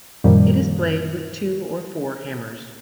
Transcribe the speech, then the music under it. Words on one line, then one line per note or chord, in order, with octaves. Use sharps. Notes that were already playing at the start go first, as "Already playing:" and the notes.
It is played with two or four hammers.
F#2 A#2 D#3 F3 G3